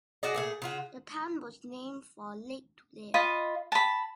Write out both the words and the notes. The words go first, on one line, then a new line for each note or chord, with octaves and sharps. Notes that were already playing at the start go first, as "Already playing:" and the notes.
The town was named for Lake Tulare.
F#4 G#4 D5 D#5
A#2 A3 G#4
C#3 F4 F#4
F4 D#5 B5
A5 B5